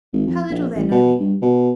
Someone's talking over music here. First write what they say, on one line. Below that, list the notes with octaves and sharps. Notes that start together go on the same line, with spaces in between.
"How little they know me!"
G#1
F2
A#1
A1
B2
G2
B2